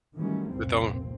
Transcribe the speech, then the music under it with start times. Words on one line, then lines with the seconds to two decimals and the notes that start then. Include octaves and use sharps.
but don
0.17 D#3 E3 F#3 G3 A3 C#4
0.52 F1 C#2 A#2 A#3 C4